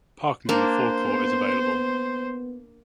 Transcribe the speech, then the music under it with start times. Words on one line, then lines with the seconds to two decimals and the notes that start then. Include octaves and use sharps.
Parking in the forecourt is available.
0.49 A#3 D4 C5
1.04 B3